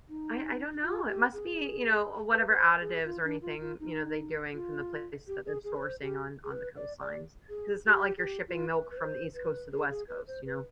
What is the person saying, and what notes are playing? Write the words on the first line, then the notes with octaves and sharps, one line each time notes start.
I I don't know, it must be, you know, whatever additives or anything, you know, they doing from the place that they're sourcing on on the coastlines, 'cause it's not like you're shipping milk from the East Coast to the West Coast, you know.
D#4
F4
G4
G#4
B4
B4
C5
G#4
F4
D4
F4
F4
D#4
F4
G4
G#4
G#4
B4
C5
G4
G#4
B4
D5
D5
G#4
G4
G#4
G4
F4
B4
B4
C5
B4
G#4
G#4
B4
C5
B4